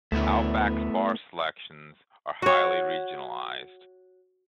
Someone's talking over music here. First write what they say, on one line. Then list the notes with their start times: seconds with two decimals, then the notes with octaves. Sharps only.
Outback's bar selections are highly regionalized.
0.12 D2 A3 B3 E4
2.42 F#4 C#5